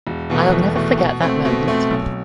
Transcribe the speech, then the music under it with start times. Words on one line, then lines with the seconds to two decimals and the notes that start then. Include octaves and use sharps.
I’ll never forget that moment.
0.07 E1
0.30 E2 B2 A3
0.52 E1
0.75 E2 B2 A3
0.98 B2
1.22 A3 C4
1.45 B2
1.68 A3 C4
1.91 B1